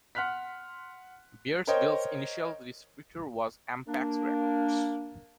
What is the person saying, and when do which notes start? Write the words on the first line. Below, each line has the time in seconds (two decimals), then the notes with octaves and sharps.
Bearsville's initial distributor was Ampex Records.
0.15 F#5 C6 F6 F#6 B6
1.67 A#4 C5 C#5 D#5 G5
3.88 A#3 D4